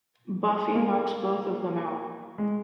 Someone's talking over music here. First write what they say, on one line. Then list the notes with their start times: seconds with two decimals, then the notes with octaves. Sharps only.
Buffy knocks both of them out.
0.75 A#3
2.38 G#3